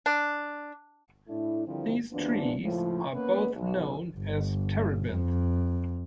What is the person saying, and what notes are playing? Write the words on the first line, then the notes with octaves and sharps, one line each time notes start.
These trees are both known as terebinth.
D4
A2 A3 D4 E4
D3 D#3 F3 G3 C4 E4
D#2 G#2 E3 F3 B3 D4
C#2 A2 F3
A#3 B3 C#4 B4
B1
G1
F2